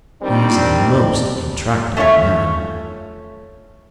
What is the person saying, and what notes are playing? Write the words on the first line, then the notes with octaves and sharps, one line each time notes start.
"He is a most intractable man."
D#3 G3 C4 D4
A3 C#4 F4 C#5 E5